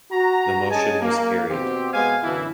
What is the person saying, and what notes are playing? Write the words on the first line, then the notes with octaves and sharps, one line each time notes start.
The motion was carried.
F#4 A#5
C#4 G#4 D#5 G#5 A5
A#3
B2 C4 F#4 G4
B2 G#3 B3 F5 G#5
F#2 B2 D3 E3 E4